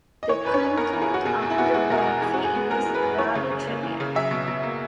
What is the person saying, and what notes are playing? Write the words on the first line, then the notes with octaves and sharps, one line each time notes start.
The content of the poetry is rather trivial.
D#5
E3 C#5
F#2 B4
C#5
F#2
B3 A#4
E3
G#4
F#2 F#4
B2 G#4
E2
E4
B3 F#4
E4
G#3 F#4
B2 A#4
G#4
E2
E3 G#4
F#2 F#4
G#4
B3
G#3 A#4
E3
B4
F#2
E3 C#5
C#3
C#3
A#3
E3
C#3
F#3 E5
B2
B2
A#3